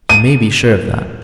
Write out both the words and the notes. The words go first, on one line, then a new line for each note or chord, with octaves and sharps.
You may be sure of that.
D#7